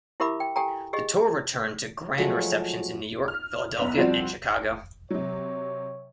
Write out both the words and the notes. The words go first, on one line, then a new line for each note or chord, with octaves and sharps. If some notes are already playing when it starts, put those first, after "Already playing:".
The tour returned to grand receptions in New York, Philadelphia, and Chicago.
E4 G4 A#4 E5 B5 D6
G5
G4 A4 G5 G#5 A#5
G4 G#4 D#5
F3 F#3 G#3 A3
F6
F#1 B3 F7
F3 G3 C4 F#4
C3 F#3 C#5